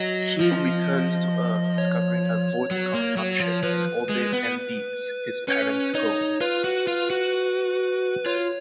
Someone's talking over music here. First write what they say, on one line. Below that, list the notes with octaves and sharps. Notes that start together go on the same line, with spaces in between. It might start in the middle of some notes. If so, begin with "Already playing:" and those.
Keen returns to Earth-discovering a Vorticon mothership in orbit-and beats his parents home.
Already playing: F#3 D#5
F3
C#5
F#3
A#3
F#3
F3
F3 B4
G#3
B3
C#4 B4
D#4 C#5
F4 B4
F#4
F4
F#4
F4 C#5